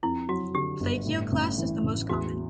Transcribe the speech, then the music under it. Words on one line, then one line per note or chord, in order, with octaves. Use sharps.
Plagioclase is the most common.
F2 E4
F#3 F#4
D3 G4
G1
A2
A1
E3
A1
E2 F#4